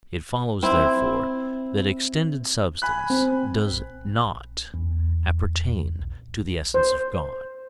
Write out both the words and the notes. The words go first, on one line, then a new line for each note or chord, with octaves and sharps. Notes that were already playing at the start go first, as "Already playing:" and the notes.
It follows, therefore, that extended substance does not appertain to the essence of God.
C4 E4
G#5 B5 F#6
C4
A#1
E2
A#1
C5